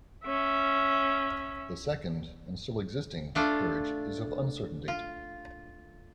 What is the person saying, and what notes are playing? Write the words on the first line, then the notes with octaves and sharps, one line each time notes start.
The second, and still existing, peerage is of uncertain date.
C#4 E5
A3 D4 F4 F5
F4